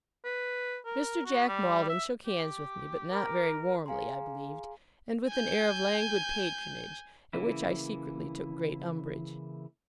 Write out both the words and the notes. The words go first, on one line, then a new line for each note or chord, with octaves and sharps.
Mr. Jack Maldon shook hands with me; but not very warmly, I believed; and with an air of languid patronage, at which I secretly took great umbrage.
B4
A#4
F#4
G3
E5
G4
A#4
G#4 F5 G#5 A#5 C6
G#5 G6
C#3 E3 A#3 E4